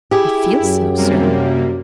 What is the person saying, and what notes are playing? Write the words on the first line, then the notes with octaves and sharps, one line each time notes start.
"I feel so, sir."
E4 G4 G#4
F#2
C3 G3 A#3